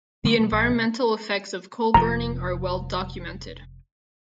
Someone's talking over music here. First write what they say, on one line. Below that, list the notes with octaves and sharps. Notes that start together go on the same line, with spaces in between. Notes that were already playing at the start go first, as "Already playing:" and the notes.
The environmental effects of coal burning are well documented.
D3 G3 A3 A#3
B2 F#3
A#1
C3
F1 F3 A#5